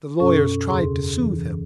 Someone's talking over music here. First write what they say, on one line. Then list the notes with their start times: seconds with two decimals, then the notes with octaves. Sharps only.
The lawyers tried to soothe him.
0.20 F#2 B2 C#4 A4 C#6
0.66 E2 C#3 G#4 C6
1.16 E3